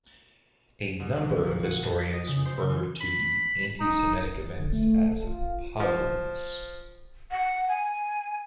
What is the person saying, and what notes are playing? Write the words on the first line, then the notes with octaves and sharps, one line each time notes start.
A number of historians refer to the antisemitic events as "pogroms".
C2
G1
F3
A#1
F#4
A5
B6
D#5
C#3
C5
C#3
E3
B5
D#4
A6
D3
A3
A4
F4
F3
F#5
G#5